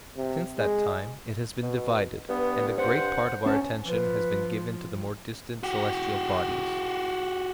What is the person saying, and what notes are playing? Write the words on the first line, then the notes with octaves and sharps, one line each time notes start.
Since that time it has been divided, and a great part of our attention has been given to the more distant celestial bodies.
C3
G#3
B2
G2 B3
C5 F#5
B3 C#4 A5
F3 B4
F#4 G4